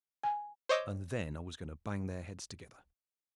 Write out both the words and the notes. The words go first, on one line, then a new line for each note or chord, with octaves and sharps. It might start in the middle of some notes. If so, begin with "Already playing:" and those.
And then I was going to bang their heads together.
G#5
C5 C#5 D#5 D6 E6 G6